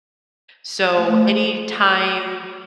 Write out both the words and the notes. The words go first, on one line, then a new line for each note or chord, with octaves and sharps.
So anytime
F3 A3 C#4